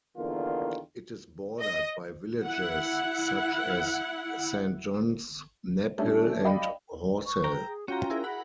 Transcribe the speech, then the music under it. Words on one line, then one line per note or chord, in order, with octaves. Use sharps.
It is bordered by villages such as Saint John's, Knaphill and Horsell.
E2 D3 D#3 A#3 F4
D#5
E4 F#5
G3 A3 C#4 D4 A4 E5
D5 D#5 F5 G5 B5
C#6
G5 A#5
G#4
C#4 F4 F#4 G5 A#5
E4 G#4 A#4
F#5 B5